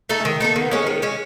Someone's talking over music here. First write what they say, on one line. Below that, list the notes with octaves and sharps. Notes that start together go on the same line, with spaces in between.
I can relate.
A3 D#4 A4
D#3
A3 D#4 A4
D#3
G#3 C#4
D#3
G#3 C#4